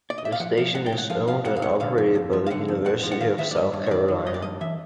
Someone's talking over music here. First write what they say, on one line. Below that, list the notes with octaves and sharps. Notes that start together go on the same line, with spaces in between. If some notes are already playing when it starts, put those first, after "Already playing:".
The station is owned and operated by the University of South Carolina.
D5
D#5
E5
F5
F3 F#5
F3
G#2 F#5
G5
G#2
F#5
F3 F5
F3 F5
G#2 F#5
F5
G#2 F#5
D3 F5
F2
F2
F3
F5
D3 F#5
F2
F2 F#5
F3
F#5
D#3 F5
D#3 E5
D5
G2 D#5
G2
C#5
D#3 D5
D#3
G2 D#5
D5
G2 D#5
E3 E5